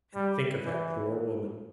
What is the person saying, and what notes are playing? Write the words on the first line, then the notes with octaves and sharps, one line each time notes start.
And think of that poor woman!
G3
E3